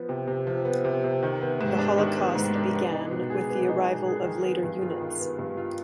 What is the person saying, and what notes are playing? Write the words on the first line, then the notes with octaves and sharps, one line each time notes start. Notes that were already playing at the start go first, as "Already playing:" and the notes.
The Holocaust began with the arrival of later units.
Already playing: F3 B3
C3
C3
F3
B3
C3
C3
D#3
B3
G#2
D4
D#3
B3
G#2
D4
B3
D#4
B2
G#4
B3
D#4
B2
G#4
D#3
B3
G2
F4
D#3
B3
G2
F4